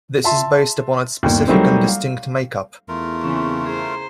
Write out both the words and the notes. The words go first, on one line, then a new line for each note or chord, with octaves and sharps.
This is based upon its specific and distinct makeup.
E5 A5 C6
G1 D#2
F#3 G3 A3 A#3 C4 D#4
F5
E2 A3 F4 A#4
C#3 E3 C4 C#6
G#4 C5 A#5